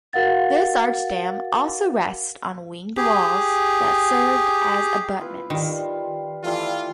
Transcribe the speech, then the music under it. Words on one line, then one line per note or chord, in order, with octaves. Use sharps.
This arch dam also rests on winged walls that served as abutments.
F#4 A#4 F5 F#5 A6
G4 G#4
E4 F4 B4
D#3 G3 F4
E3 G3 A3 F4 F5